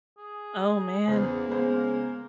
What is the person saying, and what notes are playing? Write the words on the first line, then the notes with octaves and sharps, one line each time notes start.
Oh, man.
G#4
E2 C#3 A#3 C5
G#3 B3 C5